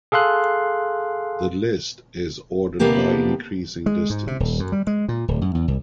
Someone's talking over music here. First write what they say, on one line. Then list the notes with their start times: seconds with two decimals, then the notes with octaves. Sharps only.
The list is ordered by increasing distance.
0.12 G#4 A4 F5 C6 F#6
2.79 C3 A#3 B3 D4 G4 A4
3.86 G#3
4.10 G#2
4.27 C3
4.40 D#1
4.60 F#2
4.72 G3
4.87 G#3
5.08 A#2
5.28 D1
5.41 F#2
5.55 E2
5.68 C2